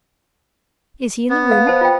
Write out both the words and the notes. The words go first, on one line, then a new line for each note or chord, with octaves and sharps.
Is he in the room?
B3
F5
C5 A5
F4 G5